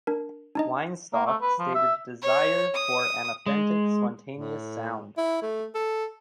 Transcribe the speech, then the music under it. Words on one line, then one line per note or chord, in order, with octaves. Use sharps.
Weinstock stated a desire for an authentic, spontaneous sound.
D4 A#4
D4 D#4 D#5
A#3
A3
B4
F3
E5
C#5
D#6
G#3
A2
E4
A3
A4